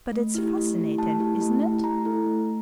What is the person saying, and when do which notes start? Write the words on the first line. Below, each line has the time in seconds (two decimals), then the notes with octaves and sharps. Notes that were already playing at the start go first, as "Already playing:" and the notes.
But it's fascinating, isn't it?
0.13 A3
0.35 E4 G4
0.56 A3
0.77 E4 G4
0.98 A3 A5
1.20 E4 G4
1.41 A3
1.62 E4
1.68 G4
1.84 A3 A#5
2.05 E4 A4
2.26 A3